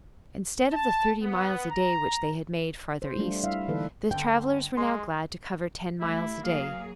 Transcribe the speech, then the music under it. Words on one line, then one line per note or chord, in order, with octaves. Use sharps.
Instead of the thirty miles a day which they had made farther east, the travellers were now glad to cover ten miles a day.
A5
B3
A#5
C5
G3 A3 D4 F4
G3 E4 E5 F5
D3 E3 A#3 D#4 A4 B4
G1 D3 G5
G#3 C6
G3 A3 E4
F#3 A#3 G#4 F5